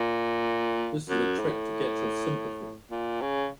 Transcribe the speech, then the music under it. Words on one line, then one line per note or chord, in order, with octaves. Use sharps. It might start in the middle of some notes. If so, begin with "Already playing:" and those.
This is a trick to get your sympathy.
Already playing: A#2
F#2
A2
A#2
C#3